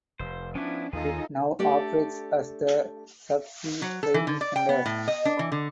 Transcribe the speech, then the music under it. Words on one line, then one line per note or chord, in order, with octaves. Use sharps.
It now operates as the Subsea Training Centre.
F1 C5
F3 B3 C#4 D4 E4
D#2 D#3 D#4 F4 G#4 A4
A3 D4 G4 A4 D5
F#3
A4
E3
D3
D5
G5
B3
A2
D#5
D4
E3
D3